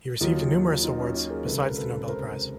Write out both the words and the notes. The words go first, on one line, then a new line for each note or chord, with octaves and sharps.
He received numerous awards besides the Nobel Prize.
D#2 D#3 F#3 D#4 F4
D#4 F4
C#4 D#4
D#4 F4
G#4 A#4
C#2 C3 D#3 A4 B4
A#4
A4 B4
A#4 C5